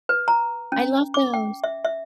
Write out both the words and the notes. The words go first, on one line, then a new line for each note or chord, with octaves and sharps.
I love those.
B4
A#5
C#4
D6
G5
E5
E5